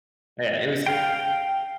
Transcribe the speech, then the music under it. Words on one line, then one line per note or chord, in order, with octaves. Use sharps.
Yeah, it was
F5 G5